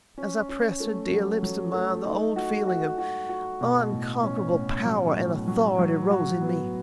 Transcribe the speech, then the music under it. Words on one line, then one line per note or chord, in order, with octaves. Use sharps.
As I pressed her dear lips to mine the old feeling of unconquerable power and authority rose in me.
C#4
C#4
A3
F#3
F#3
A3
D#4
F#4
F#4
F#4
F#4
B2
A2
C#4
A2
F#3
A2
F#3
F#3
F#4
B3